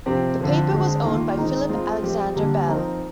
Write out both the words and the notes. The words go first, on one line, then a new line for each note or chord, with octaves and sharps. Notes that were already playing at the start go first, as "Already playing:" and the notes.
The paper was owned by Philip Alexander Bell.
C3 F3 C4 G4
D3 F3 C4
D3 G#3 C4
D#3 A#3 F4
D#3 G#3 C4 D#4
G#3 C4 F4
F3 G#3 C4 G4
D3 G3 A#3
F3 C4 D#4 A#4